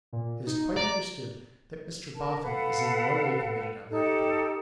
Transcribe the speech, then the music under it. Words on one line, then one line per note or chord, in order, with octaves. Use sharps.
It is quite understood that Mr Boffin is in no way committed on that point.
A#2
D#4
D5 A#5
A#4 A5
A4 B4 F5 F#5
D#4 G4 A4